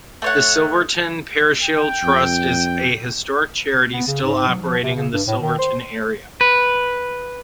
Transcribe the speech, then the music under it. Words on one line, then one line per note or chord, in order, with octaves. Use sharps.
The Silverton Parochial Trust is a historic charity still operating in the Silverton area.
A3 C#5 F#5
G5
F2
B3
C#3
G#2
F#3
F3
C3
C#3
G2
A2
D#3
C5
B4